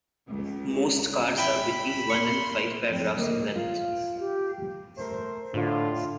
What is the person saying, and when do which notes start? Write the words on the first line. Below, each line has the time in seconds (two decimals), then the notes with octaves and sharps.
Most cards are between one and five paragraphs in length.
0.28 C#2
1.37 E4 G5 B5
2.10 A#3 C6 C#6
2.89 F2 C4
3.17 D2 A#3 D#5
3.56 F4 F5
4.19 G4
4.97 A3 A#4 C5
5.54 A2 D3 F4